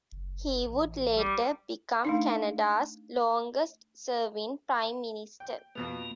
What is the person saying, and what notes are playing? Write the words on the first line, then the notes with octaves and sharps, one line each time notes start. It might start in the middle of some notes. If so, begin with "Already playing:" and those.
He would later become Canada's longest serving Prime Minister.
F#1
A1
G3
A3 D4 D#4
G5
F2 B2 A#3 B3